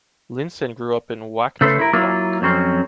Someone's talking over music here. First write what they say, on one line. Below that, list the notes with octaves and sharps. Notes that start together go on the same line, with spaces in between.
Linssen grew up in Wachtendonk.
C#3 A3 A4 B4 C5
E4 A#4
F#3 A#3 E4 F4
F2 F#3 C4 C#4